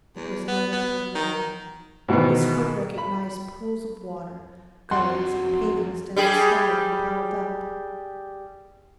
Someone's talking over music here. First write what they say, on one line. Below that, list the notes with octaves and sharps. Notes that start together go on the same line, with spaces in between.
It was an overturned wagon; his foot recognized pools of water, gullies, and paving-stones scattered and piled up.
E2
B3
B3
D#3
G#2 B2 D#3 E3 B3
B5
F2 F#3 F#4 F#5 C6
G3 G4 G#4